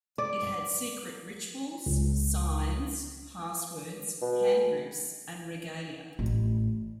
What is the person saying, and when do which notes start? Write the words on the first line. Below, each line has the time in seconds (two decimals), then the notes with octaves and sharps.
It had secret rituals, signs, passwords, hand grips and regalia.
0.18 D5
1.86 C#2
4.21 B2
6.19 A1